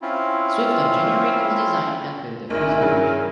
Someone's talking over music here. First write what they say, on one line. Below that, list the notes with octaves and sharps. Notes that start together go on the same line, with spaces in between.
Swift Engineering will design and build the fuselage.
C4 C#4 E4 F4
A#1 D#3 E4 A#4 G#5
G2 C#3 F#3